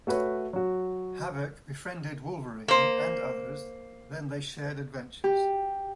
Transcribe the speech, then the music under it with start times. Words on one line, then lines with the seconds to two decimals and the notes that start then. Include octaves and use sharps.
Havok befriended Wolverine and others, then they shared adventures.
0.07 A3 F#4 B4 C#5
0.53 F#3 F#4
2.68 A#3 C5
5.24 G4